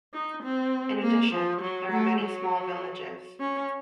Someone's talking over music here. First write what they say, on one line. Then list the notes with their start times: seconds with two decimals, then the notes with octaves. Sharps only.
In addition, there are many small villages.
0.14 D#4
0.43 C4
1.03 A#3
1.32 F3
1.61 F#3
1.92 A3
2.21 F#3
3.40 C#4